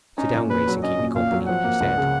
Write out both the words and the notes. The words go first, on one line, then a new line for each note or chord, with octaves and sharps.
"Sit down, Grace, and keep me company," he said.
C#4 D#4
A#2
A#2 B4
F#3
C#4 D#5
A#2
A#2 F5
F#3
F3 F#5
A#3
C#2
C#3